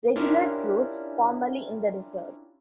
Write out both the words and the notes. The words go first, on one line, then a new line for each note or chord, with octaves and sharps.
Regular troops, formerly in the Reserve.
C#4 D4 E4 F4 G4 A#4